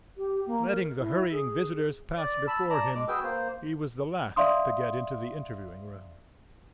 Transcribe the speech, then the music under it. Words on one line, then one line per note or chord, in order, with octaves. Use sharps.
Letting the hurrying visitors pass before him, he was the last to get into the interviewing-room.
G4
A#3
A#4
E4
G#4
D5
A5 B5 E6
D5 A5 A#5
G#3 D6
F#4 G#4 B4 G5 E6
A#3 C5
D5 E5 F5 C6 D#6